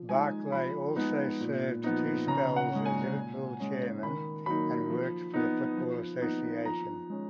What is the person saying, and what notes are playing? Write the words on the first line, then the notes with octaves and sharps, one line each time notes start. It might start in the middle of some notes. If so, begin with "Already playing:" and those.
Barclay also served two spells as Liverpool chairman and worked for the Football Association.
Already playing: F3
G#3 D#4 G#5
F3 B5
G#3 B3 D#4
A#2
F3 B3 D#4
C#3 A#5
F#5
G#3 C#4
G#5
A#2
G#3 C#4
D#3 B5
F#3 A#3 D#4 B5
F3
B3 D#4
F3
B3 D#4
F3 A#5
G#3 C#4